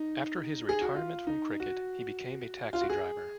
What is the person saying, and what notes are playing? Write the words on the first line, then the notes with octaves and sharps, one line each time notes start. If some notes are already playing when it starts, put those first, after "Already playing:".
After his retirement from cricket, he became a taxi driver.
Already playing: D#4
G#4
F#4
F4
D#4
F#4
F4
F#4
G#4